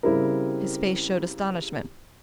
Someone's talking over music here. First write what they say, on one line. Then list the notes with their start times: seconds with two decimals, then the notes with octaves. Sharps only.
His face showed astonishment.
0.03 C#3 G3 C4 E4 G4 A#4